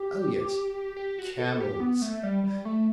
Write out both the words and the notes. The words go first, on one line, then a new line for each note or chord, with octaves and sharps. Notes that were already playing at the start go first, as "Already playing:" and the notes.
Oh yes, camels.
Already playing: G4
G4
F#4
A4
G4
B3
A3
G3
G3
A3